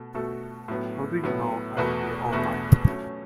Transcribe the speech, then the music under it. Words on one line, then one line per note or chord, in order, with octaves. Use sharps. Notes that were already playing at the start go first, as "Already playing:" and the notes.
How do you know I'll be all right?
Already playing: B2 A3 A4
B2 A3 F#4 A4
A2 F#3 B3
A2 F#3 B3
E2 B2 A3 F#4 B4
E2 B2 A3 F#4 B4
F#3 A3 C#4